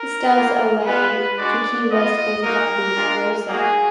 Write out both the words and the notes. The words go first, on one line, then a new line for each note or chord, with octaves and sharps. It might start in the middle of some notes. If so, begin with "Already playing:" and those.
He stows away to Key West with Gabi and Rosa.
Already playing: A#4
A#3 F4
B3 F4 B4
G#3 D4 F#4 D5
B3 F4 D#5
A#3 D#4 F#4 A#4
G#3 D4 F4
A#3 D#4 F#4 G#4